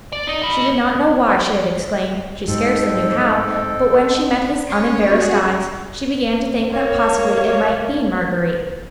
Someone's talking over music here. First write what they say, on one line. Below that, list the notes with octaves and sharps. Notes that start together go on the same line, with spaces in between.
She did not know why she had exclaimed--she scarcely knew how; but when she met his unembarrassed eyes, she began to think that possibly it might be Marguerite.
D5
D#4
D#5 B5
G#2 C4 A4 D#5
C#4 C#5
F#4 G#4
A#3 C#5